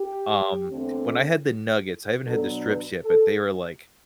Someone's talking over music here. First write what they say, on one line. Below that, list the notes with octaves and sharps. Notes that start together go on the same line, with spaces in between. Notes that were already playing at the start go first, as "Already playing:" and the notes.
Um, when I had the nuggets, I haven't had the strips yet, but they were like,
Already playing: G4
E2 D3 A3 C4
B2 F#3 B3 D4 A4
B4
A4